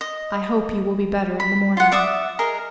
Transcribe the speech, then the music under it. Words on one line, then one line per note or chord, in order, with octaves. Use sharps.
"I hope you will be better in the morning."
D#5
B5
F4 F#5
D5 E5 D6 D#6
G#4 A#4 D#5